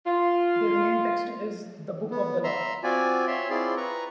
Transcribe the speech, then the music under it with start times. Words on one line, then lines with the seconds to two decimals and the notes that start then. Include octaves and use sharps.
Their main text is "The Book of the Law".
0.06 F4
2.11 B3
2.44 E5 A#5 C6
2.83 C4 F4 F#4 D5 G#5
3.27 C#5 E5 C6
3.50 C4 E4 F4 G#4 D5 C6
3.77 B4 A#5 C#6